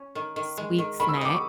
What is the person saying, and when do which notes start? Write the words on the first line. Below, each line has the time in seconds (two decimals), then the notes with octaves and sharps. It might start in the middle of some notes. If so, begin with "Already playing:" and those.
sweet snack.
Already playing: C#4
0.15 D#3
0.36 D#3
0.58 G#3
0.78 D#3
1.00 D#3 B5
1.09 E6
1.17 D#6
1.21 D#4 D6
1.34 C#6